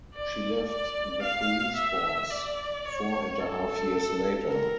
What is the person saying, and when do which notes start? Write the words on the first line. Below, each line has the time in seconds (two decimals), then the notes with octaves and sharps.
She left the police force four and a half years later.
0.14 D5
0.69 D5
1.23 F5
1.76 E5
2.31 D5
2.85 C#5
3.39 A4
4.47 A#4